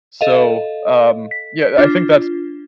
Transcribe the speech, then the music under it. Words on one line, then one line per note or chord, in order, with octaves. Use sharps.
So, um, yeah, I think that's
A4 D#5 F5
B6
D4 F4